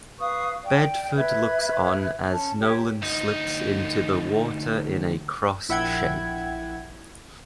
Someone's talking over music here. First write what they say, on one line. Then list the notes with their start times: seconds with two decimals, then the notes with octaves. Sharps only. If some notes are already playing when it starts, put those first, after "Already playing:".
Bedford looks on as Nolan slips into the water in a cross shape.
0.19 B4 F5 C#6 D#6
0.64 D5 G5
1.16 B4 E5 G#6
2.32 C#4 A5
2.59 G4 C#5
3.02 D2 D#4
5.69 A#1 E4 E5 F#5 G5 G#6